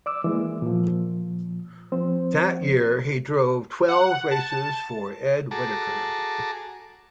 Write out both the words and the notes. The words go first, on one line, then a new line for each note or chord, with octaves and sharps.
That year, he drove twelve races for Ed Whitaker.
D5 D6 E6
E3 G#3 A#3
A#2 F3
F3 C4 C5
F#5
A5
F#4 G#4 A4 A5 A#5 D6